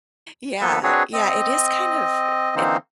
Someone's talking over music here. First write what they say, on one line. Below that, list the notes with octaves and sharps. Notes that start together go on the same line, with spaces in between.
Yeah, yeah, it is kind of it
F3 A#3 B3 A4 B4
C4 D4 F#4 G#4 B4 C#5
C4 D#5
D3 E3 A#3 C4 D#4 C5